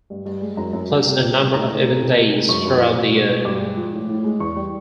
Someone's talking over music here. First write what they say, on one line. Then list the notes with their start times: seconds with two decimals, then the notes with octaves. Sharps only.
Plus a number of event days throughout the year.
0.10 G2
0.26 G2
0.42 G#3
0.57 F#2 A#5
0.73 F#2
0.90 G3
1.06 C3
1.21 C3
1.37 G3
1.54 A2 A#5
1.69 A2
1.86 A3
2.01 C3
2.17 C3
2.34 G#3
2.49 F#2 C#6
2.65 F#2
2.81 F3
2.97 B2
3.13 G#3
3.29 B2
3.45 G2 D6
3.60 G#3
3.77 F3
3.93 A2
4.09 A2
4.24 G#3
4.40 E2 C#6
4.56 G3